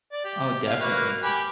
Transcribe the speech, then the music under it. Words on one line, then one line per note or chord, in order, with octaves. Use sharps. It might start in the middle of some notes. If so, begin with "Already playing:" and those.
Oh, definitely.
D5
G4
F5
A#3 F#4 B4
G4 G#5 B5